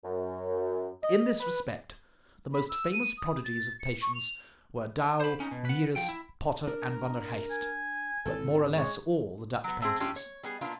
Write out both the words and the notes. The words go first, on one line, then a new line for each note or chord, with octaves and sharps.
In this respect the most famous prodigies of patience were Dow, Mieris, Potter, and Van der Heist, but more or less all the Dutch painters.
F#2
D#5
B4
B5
E6
D#7
D#6
A6
C#7
C#6
F7
C5 B5
C#4 D#4
B2
B4 F#5
F3 G5
E4
D4 A#4
G#5
G#1 E3 C4 A4
G#3 C#5
F#3 B3
A3 B3 C4 G#4 C5
A3 C#4 D4 F4 G4
C#5
G3 B3 G#4
A#2 A#3 B3 D4 F4